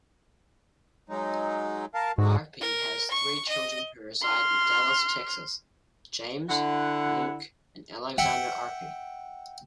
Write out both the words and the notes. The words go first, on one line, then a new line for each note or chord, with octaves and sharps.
Arpey has three children who reside in Dallas Texas: James, Luke, and Alexandra Arpey.
F#3 G#3 D#4
A#4 F5 A5
G#2 D3 G#3 F#4
A#4
C#6
D#5
C6 F6
D3 E4 F#5
E5 F#5 G5